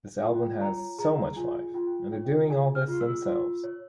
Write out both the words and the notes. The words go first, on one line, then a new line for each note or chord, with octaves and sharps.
This album has so much life and they're doing all this themselves.
F4 G5
C#5 A#5
G#4 A#5
F4 G#5
F4 G5
C#5 G5
G#4 G#5
F6
F4
E6
F4
C#5